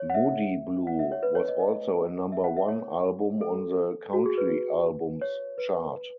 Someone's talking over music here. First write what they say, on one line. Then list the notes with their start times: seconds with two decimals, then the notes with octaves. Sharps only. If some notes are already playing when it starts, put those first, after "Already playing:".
"Moody Blue" was also a number one album on the Country Albums chart.
Already playing: C#5
0.10 F#5
0.14 E5
0.87 F#5
0.99 E5
1.12 C#5
1.23 B4
1.35 C#5
1.48 D#5
1.59 D#5
2.32 E5
2.44 F#5
2.57 E5
2.68 C#5
3.41 A4
4.13 F#4
4.26 G#4
4.37 B4
5.21 C#5
5.58 B4